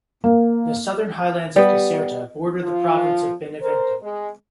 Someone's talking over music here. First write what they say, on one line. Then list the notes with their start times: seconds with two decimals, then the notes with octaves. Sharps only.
The southern highlands of Caserta border the Province of Benevento.
0.24 A#3
1.56 G3 B3
2.62 F3 F4
3.62 A#4 C5
4.02 G#3